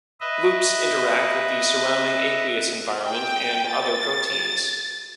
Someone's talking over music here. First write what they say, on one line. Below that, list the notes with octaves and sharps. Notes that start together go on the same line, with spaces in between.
Loops interact with the surrounding aqueous environment and other proteins.
B4 D#5 E5
G5
A6